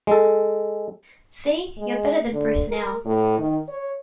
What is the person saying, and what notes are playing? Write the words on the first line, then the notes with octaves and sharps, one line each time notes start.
See! You’re better than Bruce now.
G#3 A4
G#3
D3
A#4
A2
D#3
C#5